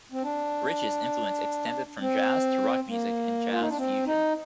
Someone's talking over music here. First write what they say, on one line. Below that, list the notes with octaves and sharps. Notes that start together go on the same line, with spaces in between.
Rich's influence extended from jazz to rock music and jazz fusion.
C4
D4
C4
A#3
F4
D#4
D4
C4
D#4